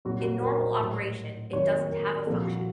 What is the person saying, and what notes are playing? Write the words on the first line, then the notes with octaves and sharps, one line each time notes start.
In normal operation it doesn't have a function.
C2 A#2 F#3 F#4
F#4
A#4
C5
A2 F#3
F2 D#3 F#3 C#5
A#4
C2 A#2 F3 A4
F#4